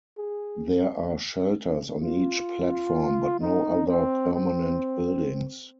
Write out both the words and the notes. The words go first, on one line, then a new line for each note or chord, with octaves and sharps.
There are shelters on each platform, but no other permanent buildings.
G#4
F4
D#4
C4
C4